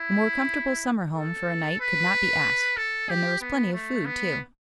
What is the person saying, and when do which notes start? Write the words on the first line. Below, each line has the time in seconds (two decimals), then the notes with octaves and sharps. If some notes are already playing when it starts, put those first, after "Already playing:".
A more comfortable summer home for a night could not be asked. And there was plenty of food, too.
Already playing: E4
1.17 A4
1.81 B4
2.77 A4
3.10 G4
3.42 B3
3.73 A3
4.06 B3